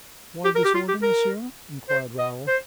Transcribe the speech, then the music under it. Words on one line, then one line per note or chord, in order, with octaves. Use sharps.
"Why this order, monsieur?" inquired Raoul.
G4
A#4
G4
F4
G4
A#4
C5
D#5
C5